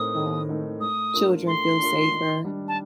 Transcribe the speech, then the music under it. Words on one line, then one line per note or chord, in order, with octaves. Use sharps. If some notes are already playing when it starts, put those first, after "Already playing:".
um, children feel safer.
Already playing: A2 A3 C4 D#4 A#4 D#6
A2
A3 C4 D#4 A#4
A3 D#6
D4 F4 A#4
A3 C6
D4 F4 A#4
D#3
G3 D4
A5